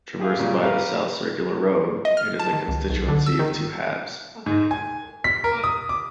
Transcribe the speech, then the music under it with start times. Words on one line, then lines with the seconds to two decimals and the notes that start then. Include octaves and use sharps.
Traversed by the South Circular Road, it is a constituency of two halves.
0.20 G4 G#4 F5
0.39 A#2 C#3 G3 G#3
0.63 G4 A#4 B4 F5
2.05 D#5
2.17 F6
2.39 A5
2.53 D#3
2.68 C#2
2.90 B1
3.08 D3
3.26 E6
3.39 D#3
4.46 G#2
4.71 G#5
5.24 B6
5.44 A#4
5.64 D#6
5.89 D6